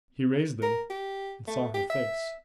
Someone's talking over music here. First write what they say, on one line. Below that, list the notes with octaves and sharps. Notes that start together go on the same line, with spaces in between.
He raised them, and saw her face.
A#4
G4
A3
G4
E5